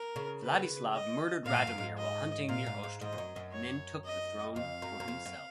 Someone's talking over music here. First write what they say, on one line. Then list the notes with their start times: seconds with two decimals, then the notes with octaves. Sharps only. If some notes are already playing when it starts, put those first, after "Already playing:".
Vladislav murdered Radomir while hunting near Ostrovo, and then took the throne for himself.
Already playing: A#4
0.16 C#3
0.42 B4
0.94 D#5
1.46 A#2 F5
1.56 G#2
1.67 F#2
1.78 G#2
1.97 D#5
2.49 A#2 F5
2.66 G#2
2.83 G#2
3.01 G#2 D#5
3.13 F2
3.18 F#2
3.36 F#2
3.53 C#5
4.05 D#5
4.56 F2 F5
4.82 F#2
5.00 F#2
5.08 F2
5.26 F#2